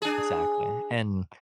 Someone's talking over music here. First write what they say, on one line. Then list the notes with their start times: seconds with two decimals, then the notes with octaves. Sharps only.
Exactly, and,
0.02 D4 G#4